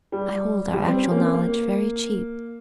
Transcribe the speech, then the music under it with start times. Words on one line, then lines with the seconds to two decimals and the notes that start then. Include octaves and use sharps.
I hold our actual knowledge very cheap.
0.12 G3
0.73 G3
0.88 C4
1.03 C#4
1.11 A#3
1.18 C4
1.34 A#3